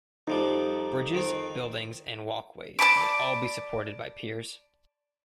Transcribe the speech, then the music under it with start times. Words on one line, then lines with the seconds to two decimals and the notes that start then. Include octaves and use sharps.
Bridges, buildings, and walkways may all be supported by piers.
0.27 F2 F3 G3 D#4
1.13 F2 D#3 C4
2.79 D5 A5 B5 D6